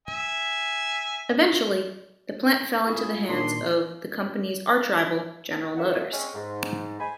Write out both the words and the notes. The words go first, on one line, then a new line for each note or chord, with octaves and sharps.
Eventually, the plant fell into the hands of the company's archrival, General Motors.
E5 G#5
E4 F4 G#4
A#2 D#3 D4 C6
F#2 D3 F3 A#3 E5 F#5
G#3 C4 C#4
G#2
C5 G#5 B5